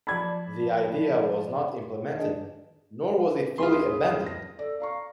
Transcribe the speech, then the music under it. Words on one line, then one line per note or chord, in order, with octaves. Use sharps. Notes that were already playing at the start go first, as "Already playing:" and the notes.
The idea was not implemented, nor was it fully abandoned.
F3 D5 A5 B5 G#6
D#3 D4 D#4 G#4
B4
D#1 C4 F4 G#4 B5 C6
A#6
A4 D5
D5 F5 A#5 C#6